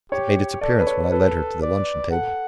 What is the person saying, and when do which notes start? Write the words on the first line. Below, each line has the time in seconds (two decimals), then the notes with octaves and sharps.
It made its appearance when I led her to the luncheon table.
0.12 G4 C#5
0.61 A4 D5
0.79 B4
0.87 C#5
1.11 A4 B4
1.62 D5
2.11 A4 F#5